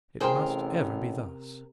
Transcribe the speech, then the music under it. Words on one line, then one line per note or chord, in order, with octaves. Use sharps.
It must ever be thus.
A1 C3 G#4 A#4 C5 G5